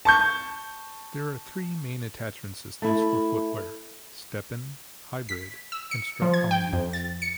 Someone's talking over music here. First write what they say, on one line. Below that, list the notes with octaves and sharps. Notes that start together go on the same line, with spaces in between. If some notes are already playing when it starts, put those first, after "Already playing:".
There are three main attachment systems for footwear: step-in, hybrid, and strap bindings.
A5 C#6 G6
A3 E4
B6
E6
C#7
F3
G#6
G5
F2
A6
C#7